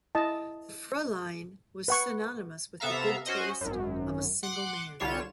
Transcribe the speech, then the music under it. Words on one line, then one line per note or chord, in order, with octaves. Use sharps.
The "Frua line" was synonymous with the good taste of a single man.
E4 D#5 A5
B4 F#5 C#6
C3 B3 A4 E5 F5 A#5
C#4 F#4 C5 D#5
G#1 F#2
F#5 C6 D6
C2 D3 G3 F4 C#5 E7